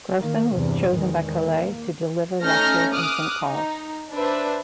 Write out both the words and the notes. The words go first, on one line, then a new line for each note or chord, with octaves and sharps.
Grocyn was chosen by Colet to deliver lectures in Saint Paul's.
D#3 A#3
E2 G2 C3
E2 A#2 D#3 G#3
A#3
A3 C#4 D#4 F6 G6 A#6
D6 D#6 F6 F#6
D#4
D4 B4 C5 E5